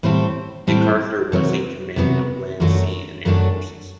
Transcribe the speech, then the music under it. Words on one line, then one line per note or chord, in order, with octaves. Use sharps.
MacArthur was in command of land, sea and air forces.
A2 G3 C4 E4 A4
A2 G3 C4 E4 A4
C3 F#3 B3 F#4
C3 F#3 B3 F#4
F#2 F#3 A3 D4 F#4
F#2 F#3 A3 D4 F#4